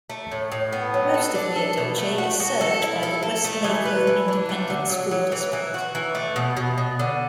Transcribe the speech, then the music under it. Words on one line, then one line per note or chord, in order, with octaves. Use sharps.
Most of Mila Doce is served by the Weslaco Independent School District.
A3
A2
A2
B3
F#3
A4
D4
A4
B2
A3
F#4
F#4
A4
E4
A4
A4
A3
E3
B4
E3
D4
A3
D3
F#3
F#3
E3
E3
F#4
E3
A3
B2
B2
B2
D3